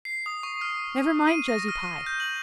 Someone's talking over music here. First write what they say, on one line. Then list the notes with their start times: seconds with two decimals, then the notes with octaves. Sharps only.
Never mind Josie Pye.
0.05 C7
0.26 D#6
0.43 C#6
0.61 F6
1.27 D#7
1.48 A#6
1.68 F6
2.06 G6
2.20 F#7